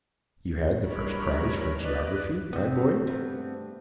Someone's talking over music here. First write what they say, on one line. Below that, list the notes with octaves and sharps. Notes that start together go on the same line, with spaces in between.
"You had the first prize for geography, my boy?"
D3 E3 G3 A#4 C#5 B5
B4 D5 D#5
C3 B3 C4
G2 A3